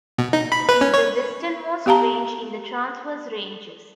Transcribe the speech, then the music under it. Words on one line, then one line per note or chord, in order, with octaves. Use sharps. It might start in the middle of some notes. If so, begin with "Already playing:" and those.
It is the westernmost range in the Transverse Ranges.
B2
D#4
B5
B4
C#4
C#5
B3 G4 F5 A5 A#5